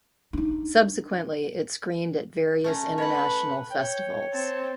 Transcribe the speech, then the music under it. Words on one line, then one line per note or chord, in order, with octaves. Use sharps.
Subsequently, it screened at various international festivals.
D4 D#4
A3 C#4 A#5
B4 C#5 F#5
C#5 G5
C4 A5